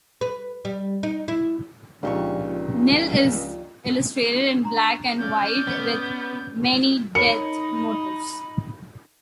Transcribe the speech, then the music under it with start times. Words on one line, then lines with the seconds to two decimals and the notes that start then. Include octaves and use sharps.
"Nil" is illustrated in black and white with many death motifs.
0.21 B4
0.65 G3
1.03 D#4
1.28 E4
2.03 C#2 A#2 D#3 F3 D4 G4 C#6
4.63 D4 A#5 C6
5.18 C#4 D5 F5 G6
5.67 B3
7.15 D#4 A#4 C#5 B5 C#7